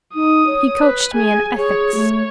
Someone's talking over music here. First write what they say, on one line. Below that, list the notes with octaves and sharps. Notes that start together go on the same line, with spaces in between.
"He coached me in ethics."
D#4 D#6
C#5
B4
G#4 G#5
G#4 C#5
A3